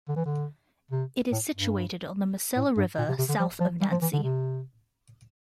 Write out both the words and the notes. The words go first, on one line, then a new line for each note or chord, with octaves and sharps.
It is situated on the Moselle River, south of Nancy.
D3
E3
D3
C3
A2
G2
A2
G2
A#2
C3
C3
D3
F3
F3
G3
F3
E3
D3
C3